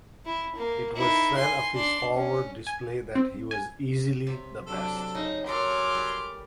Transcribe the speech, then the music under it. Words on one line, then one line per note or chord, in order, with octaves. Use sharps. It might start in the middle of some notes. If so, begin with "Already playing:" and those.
It was said of his forward display that he "was easily the best".
E4
A#3
D#4 E4
G#5 C6
D4 C6
C#4
G#5
C4
G#5
C3
F#3 D4 A4
C#3 D#4
F#3 C#4 A4 A#4 C#5 C6 D6 F6
G3